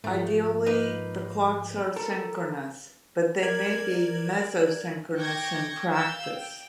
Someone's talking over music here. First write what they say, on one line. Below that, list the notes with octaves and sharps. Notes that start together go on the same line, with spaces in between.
Ideally, the clocks are synchronous, but they may be mesochronous in practice.
G#2 F3 A3
A#3 D#4 B4
A4 A#4
A#4 D5 G#6 F#7
G5 C#6 D6 G6 G#6 A#6
F5 E6 G6
G5